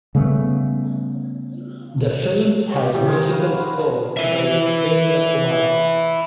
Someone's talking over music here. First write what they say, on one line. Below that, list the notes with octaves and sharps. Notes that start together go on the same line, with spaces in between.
The film has musical score by Upendra Kumar.
C#3 G3 A3 B3
G4 C#5
E3 G4
G#4 A#4 C5
F#4 B4 F5
B4 E5